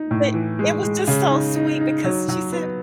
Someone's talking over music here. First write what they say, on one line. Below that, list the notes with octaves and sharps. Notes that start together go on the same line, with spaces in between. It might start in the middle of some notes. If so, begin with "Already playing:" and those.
but it was just so sweet, because she said,
Already playing: D#4
A2
E3
G#3
G#3
C#3
D#4
D#4
D#4
F#3
F#3
B3